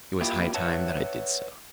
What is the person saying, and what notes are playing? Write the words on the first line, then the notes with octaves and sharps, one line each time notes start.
It was high time that I did so.
A#3 E4 F4 G4
B4 C#5 E5 F#5 A5